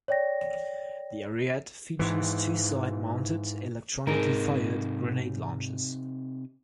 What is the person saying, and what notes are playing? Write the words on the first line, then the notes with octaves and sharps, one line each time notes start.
The Ariete features two side-mounted, electronically fired grenade launchers.
C#5 D5 G5 A#6
G#2 E3
G#2 C3 D#4 G#4 A#4